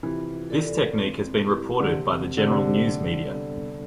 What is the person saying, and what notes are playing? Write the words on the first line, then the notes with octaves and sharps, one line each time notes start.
This technique has been reported by the general news media.
C3 E3 F4
A4 D5
C4
E4 G4
D3
C3 C4
D3 G4 C5
C3
D3
G3
B3 D4 A4